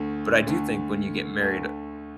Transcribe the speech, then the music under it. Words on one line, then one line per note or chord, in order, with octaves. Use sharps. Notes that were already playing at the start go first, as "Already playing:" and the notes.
but I do think when you get married,
Already playing: D2 D3 A3
D2 D3 A3
D2 D3 A3